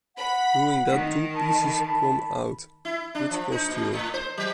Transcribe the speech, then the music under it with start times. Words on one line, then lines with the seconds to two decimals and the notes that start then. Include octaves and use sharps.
During that two pieces come out, which cost you.
0.18 F#5 B5
0.89 D#3
1.36 A5 B5
2.85 E4
3.15 D4
3.30 F3
3.52 D#4
3.68 A#2
3.93 A2
4.14 C5
4.37 F#3